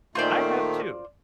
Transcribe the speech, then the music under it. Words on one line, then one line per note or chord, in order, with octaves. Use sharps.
I have too.
A#2 D#3 A3 F4 C5 D5